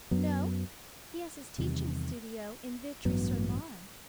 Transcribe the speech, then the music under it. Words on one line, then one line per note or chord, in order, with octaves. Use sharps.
'No; he has his teaching studio in Vitry-sur-Marne.
F#2 F#3 B3
E2 C3 D#3 G3
A1 G2 F#3 B3